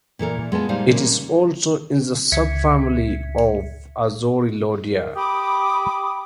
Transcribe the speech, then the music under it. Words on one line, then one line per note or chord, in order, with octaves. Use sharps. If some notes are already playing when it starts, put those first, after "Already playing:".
It is also in the subfamily of "Azorelloideae".
A#2 E3 A4 A#4
G#3 B3 F4 A5
A#2 G3 D#4 C5 F5
C#3 E3 A#3
C#2 E5 G#6 B6 C#7
A#4
G4 G5 B5 D6 D#6